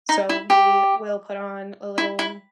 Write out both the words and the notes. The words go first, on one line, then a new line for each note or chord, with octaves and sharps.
So, we will put on a little
D#4
E4
G4
E4
E4